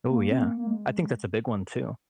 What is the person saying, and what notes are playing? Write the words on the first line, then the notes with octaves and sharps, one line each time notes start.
Ooh yeah. I think that's a big one too,
A#3
C4
A#3
A#3
G#3